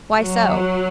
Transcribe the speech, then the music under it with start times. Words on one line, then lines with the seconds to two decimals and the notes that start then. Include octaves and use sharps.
"Why so?"
0.20 F#3